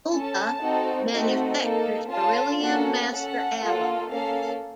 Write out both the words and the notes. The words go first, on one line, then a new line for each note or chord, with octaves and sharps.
Ulba manufactures beryllium master alloys.
C#4 A4 A5
C4 D#4 F#4 A4
A3 C4 D#4 F#4 A4
A#3 D#4 A4
C#4 F4 A4 A5
A#3 C#4 F#4 A4 F#5
C#4 A4 F#5
A#3 F4 A4
A#3 C#4 A4 F5